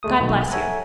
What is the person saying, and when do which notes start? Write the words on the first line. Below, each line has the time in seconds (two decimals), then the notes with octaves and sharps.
God bless you!'
0.03 D2 G#3 A3 D#6
0.20 B1 D#3 B3 D#4 F#4
0.51 A4 C#5 E5 F#5 G#5 A#5